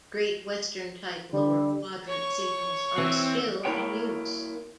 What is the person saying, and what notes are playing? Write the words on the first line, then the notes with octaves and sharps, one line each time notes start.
Great Western type lower quadrant signals are still in use.
D3 G3
C#5 C#6
E3 C4
A#3 E4 A#4 C#5 G5